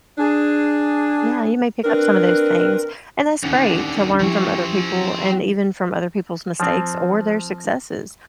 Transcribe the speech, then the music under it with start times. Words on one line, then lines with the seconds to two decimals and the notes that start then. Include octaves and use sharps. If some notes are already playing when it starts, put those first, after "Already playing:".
Yeah, you may pick up some of those things. And that's great to learn from other people and even from other people's mistakes or their successes,
0.18 D4 G#4
1.84 C4 D4 A#4 B4
3.43 D#2 D3 C#4
4.20 F3 C4 E4 G4 C#5
6.60 F3 C4